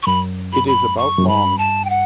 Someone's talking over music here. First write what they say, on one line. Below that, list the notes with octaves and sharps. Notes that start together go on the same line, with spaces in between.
It is about long.
C#6
F#2 B5
B5
B5
C#6
F#2
G2 B5
A5
G5
F#5